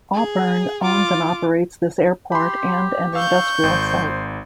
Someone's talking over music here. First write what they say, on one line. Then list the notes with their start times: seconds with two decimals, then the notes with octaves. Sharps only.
Auburn owns and operates this airport and an industrial site.
0.14 G#4
0.82 F4 D6
2.32 G4 B5 C6
3.15 F5 C#6 E6 G6
3.63 G#1 C5